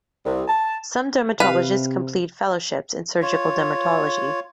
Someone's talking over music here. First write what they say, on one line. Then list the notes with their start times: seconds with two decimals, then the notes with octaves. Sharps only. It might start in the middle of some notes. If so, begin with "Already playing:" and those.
Some dermatologists complete fellowships in surgical dermatology.
0.25 C2
0.48 A5
1.40 C3 B4 F5
3.22 F4 C#5